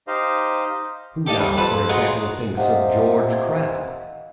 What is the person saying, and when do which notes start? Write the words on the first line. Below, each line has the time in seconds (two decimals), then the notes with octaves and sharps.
Who now, for example, thinks of George Crabbe?
0.07 D#4 G4 C5 D#5 F5
1.26 G4 A4 D5 D#5 F5
1.39 G3
1.57 F2 B4 A5 B5
1.89 G#3 F4 F#4 A#4
2.57 C3 D#5 F5 F#5